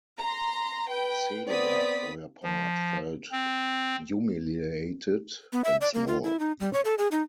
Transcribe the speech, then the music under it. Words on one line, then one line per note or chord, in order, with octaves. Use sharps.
Celia, for her part, felt humiliated and small.
A#5 C6
B4 G5
B3 C4 D5 D#6 B6
F3
C4
B3
E5
D5
A#3
F4
E4
D#4
G3
C#5
A4
G#4
D#4